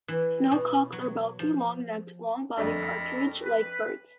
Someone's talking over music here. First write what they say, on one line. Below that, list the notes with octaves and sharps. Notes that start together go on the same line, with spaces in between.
Snowcocks are bulky, long-necked, long-bodied partridge-like birds.
E3
B2
F#3
F3
F2 A3 D4 A4 A#4 B5
B4